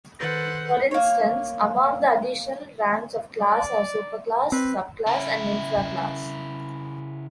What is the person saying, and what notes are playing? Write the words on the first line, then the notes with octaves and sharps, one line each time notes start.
For instance, among the additional ranks of class are superclass, subclass and infraclass.
D#3 A4 B4 C5 F#5 A6 A#6
A#3 C#5
D5
C4 B4
C#3 E4